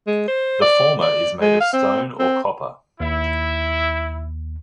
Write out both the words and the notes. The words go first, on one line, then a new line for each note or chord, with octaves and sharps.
The former is made of stone or copper.
G#3
C5
D5
D5
G#3
F5
C4
C4
D#2 E4